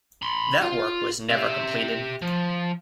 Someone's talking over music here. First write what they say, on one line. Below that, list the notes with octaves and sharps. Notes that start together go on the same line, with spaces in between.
That work was never completed.
B5 C6
F4
G4 E5
F3